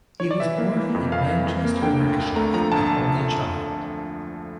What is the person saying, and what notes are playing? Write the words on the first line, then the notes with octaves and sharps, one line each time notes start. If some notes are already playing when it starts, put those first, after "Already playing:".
He was born in Manchester, Lancashire, an only child.
C#5
D5
E3 E5
A#3
E3
F2
F2 F5
E3
F2
A#3
D3 G5
D2
D2
A3 A#5
F3 A#5
D2 A5